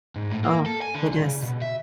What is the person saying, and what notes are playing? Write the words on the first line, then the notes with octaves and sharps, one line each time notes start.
Oh, it is.
G#2
A2
A#3
A4
G#5
D3
C2
C#3
B2
E5